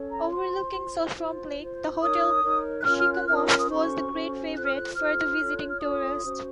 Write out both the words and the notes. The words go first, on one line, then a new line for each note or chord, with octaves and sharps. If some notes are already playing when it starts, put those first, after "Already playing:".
Overlooking Shuswap Lake, the Hotel Sicamous was a great favourite with the visiting tourist.
Already playing: C#4 A4 C#5
A#5
F4 C5 C6
F4 C5
F4 C5
F4 C5
D#4 A#4 C#5 D#6
D#4 A#4 C#5
F#6
C#4 F4 A#4 C#5 F6
F6
F#6
C#4 F4 A#4 C#5 F6
D#6
F6
D#6
C#4 F#4 A4 C5 C#6
C#4 F#4 A4 C5
F4 A4 C5 F#6
F6
F#6
F4 A4 C5 F6
F4 A4 C#5
F#6
F6
F4 A4 C#5 D#6
C#4 F#4 C5